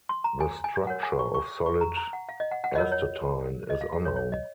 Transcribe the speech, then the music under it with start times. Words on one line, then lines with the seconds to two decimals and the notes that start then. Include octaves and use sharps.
The structure of solid astatine is unknown.
0.09 C6
0.24 A#5
0.40 G#5
0.64 G#5
0.87 F#4 A#4 C#5 F#5
1.03 G#5
1.19 C#6
1.34 C#6
1.66 C#6
1.81 A#5
1.97 A#5
2.13 F#5
2.29 F5
2.40 D#5
2.51 F#5
2.64 F#5
2.75 F4 A#4 C#5 D#5
2.92 C#5
3.70 D#5
3.81 F5
3.92 F5
4.05 C#5
4.16 C#5
4.32 D#5